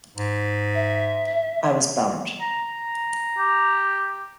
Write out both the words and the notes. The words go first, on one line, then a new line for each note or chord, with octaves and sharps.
I was bummed.
G#2
E5
A#5
G4